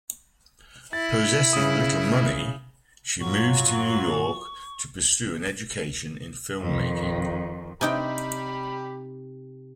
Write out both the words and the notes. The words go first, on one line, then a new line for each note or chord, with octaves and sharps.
Possessing little money, she moves to New York to pursue an education in filmmaking.
E4 A6
C#3 D#6
G2 A#2 F#3 F4 C#6
F2 D#3
C3 D#4 G4 G5 B5